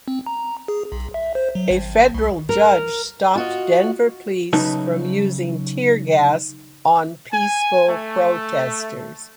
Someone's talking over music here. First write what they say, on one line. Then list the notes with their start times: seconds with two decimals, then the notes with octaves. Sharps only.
A federal judge stopped Denver police from using teargas on peaceful protesters.
0.08 C4
0.26 A#5
0.68 G#4
0.92 B1
1.14 E5
1.35 C5
1.55 F#3
1.71 G#1
2.14 C2
2.49 A#4
3.36 F4 F#4 D#5
4.53 C#3 F#3 D#4 B4 E5 A5
7.31 G#5
7.87 A3